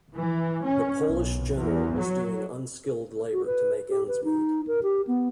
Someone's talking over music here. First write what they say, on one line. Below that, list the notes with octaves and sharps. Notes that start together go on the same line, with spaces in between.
The Polish general was doing unskilled labor to make ends meet.
E3
C#4
B1
E2
F#3
F#4
B4
G4
B4
D#4
A#4
G4
B3